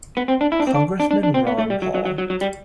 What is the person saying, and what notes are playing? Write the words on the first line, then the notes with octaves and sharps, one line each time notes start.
Congressman Ron Paul.
B3
C4
D4
E4
D4
C4
D4
D4
D4
D4
C4
B3
A3
G3
F#3
F#3
F#3
F#3
F#3
G3